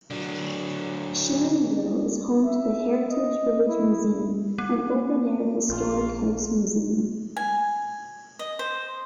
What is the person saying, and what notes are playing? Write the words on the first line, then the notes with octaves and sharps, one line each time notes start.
Sharonville is home to the Heritage Village Museum, an open-air historic house museum.
D3 F#3
E5
D#5
E4
A#3
A#1 F4
G#5
D#5
C5